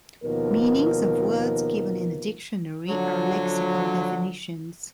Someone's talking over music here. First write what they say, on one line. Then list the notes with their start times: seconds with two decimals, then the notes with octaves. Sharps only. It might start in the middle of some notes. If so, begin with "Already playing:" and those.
Meanings of words given in a dictionary are lexical definitions.
0.23 D#2 B2 F3 A#4
2.88 D3 F3 F#3